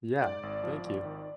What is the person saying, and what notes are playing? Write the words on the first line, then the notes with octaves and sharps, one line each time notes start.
Yeah, thank you.
G#2 D5
G#1
F3
G#1
D#3